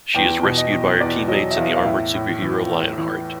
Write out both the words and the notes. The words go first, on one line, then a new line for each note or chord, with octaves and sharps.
She is rescued by her teammates and the armored superhero Lionheart.
E2 G5
B2
D#5
E2
E2 D5
F#3 D#5
E5
E2 F5
F5
A2 E5
A2
E3
A2
E3